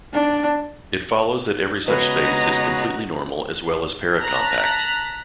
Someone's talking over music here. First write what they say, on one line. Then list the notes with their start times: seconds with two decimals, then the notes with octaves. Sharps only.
It follows that every such space is completely normal as well as paracompact.
0.13 D4
1.88 C#3 G#3 B3 F#4 B4 D#5 A#5
4.22 A5 A#5 F#6 B6